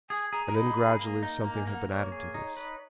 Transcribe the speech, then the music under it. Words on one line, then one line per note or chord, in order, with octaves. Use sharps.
And then gradually something had been added to this.
G#4 G#5
G#4 A#5
A#5
D#4 B5
G#4
A#3
D#4
A#5
A#3
G#5
A#3
F#5
A#3 C#5
G#4
D#4
B4